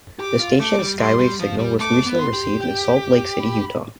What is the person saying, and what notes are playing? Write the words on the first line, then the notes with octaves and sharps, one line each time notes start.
The station's skywave signal was recently received in Salt Lake City, Utah.
G4 D6
F4
A3 D6
G3
G3 C6
G3
F3
G3
A3 D6
B3
C6
G4
G5
B5